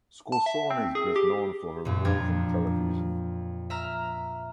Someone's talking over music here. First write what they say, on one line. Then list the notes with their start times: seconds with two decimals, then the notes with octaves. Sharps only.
Scorsone is best known for her roles on television.
0.32 A5
0.46 E5
0.70 C4
0.95 G#4
1.16 G4
1.85 F#2 A#2
2.05 F2 F3 D4 A#5 G#6
3.70 E5 A#5 F6